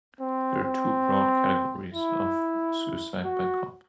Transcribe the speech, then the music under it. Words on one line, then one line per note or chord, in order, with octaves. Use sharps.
There are two broad categories of "suicide by cop".
C4
C4
E4
F#4